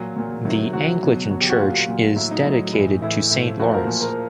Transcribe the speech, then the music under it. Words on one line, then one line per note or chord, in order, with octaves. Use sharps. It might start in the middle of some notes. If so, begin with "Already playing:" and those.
The Anglican church is dedicated to Saint Lawrence.
Already playing: A#2 F#3
A#2 F#3
C3 D#3 F#3
C3 D#3 F#3 F#4
B2 F#3
B2 F#3
G4
F#4
A#2 F#3 F4
A#2 F#3
A2 F#3 E4
D#4
A2 F#3
A2 E3
A2 E3 E4
A2 F3
A2 F3 F#4
A#4
A#2 F3
A#4